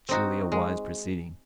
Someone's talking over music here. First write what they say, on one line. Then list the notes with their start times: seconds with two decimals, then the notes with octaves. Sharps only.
Truly a wise proceeding!
0.09 C4 D#4 F#4
0.52 G#3